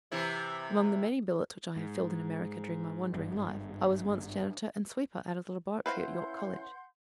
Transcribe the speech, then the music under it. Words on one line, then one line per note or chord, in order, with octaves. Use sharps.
Among the many billets which I have filled in America during my wandering life, I was once janitor and sweeper out of the laboratory at York College.
C3 E3 E4
G#2
G#1 G2
C#4 E4 B4 C5 F5 F#5 C6 G6